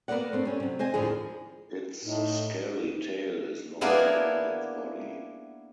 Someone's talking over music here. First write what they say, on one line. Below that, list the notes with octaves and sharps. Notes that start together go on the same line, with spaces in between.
Its scaly tail is longer than its body.
A#3 B3 D4 A#4 D5 F#5
A3 C4 D4
G3 C#4
C3 F#3
C4 C5 D#5 G#5
D#2 A2 D3 F3 G#4
A2 D#4
A#3 B3 D4 E4 G#4 A#4